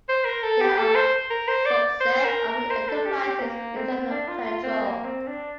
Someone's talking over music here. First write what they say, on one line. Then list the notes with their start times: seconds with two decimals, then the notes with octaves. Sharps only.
They are a subset of an enterprise's internal control.
0.08 C5
0.25 A#4
0.43 A4
0.61 G4
0.78 A4
0.95 C5
1.30 A#4
1.48 C5
1.65 D5
2.00 C5
2.24 A#4
2.48 A#4
2.70 C5
2.89 A4
3.06 G4
3.23 G4
3.40 A#3
3.76 C4
4.11 D4
4.28 F4
4.46 F4
4.63 C4
4.81 A#3
5.05 C4
5.27 D4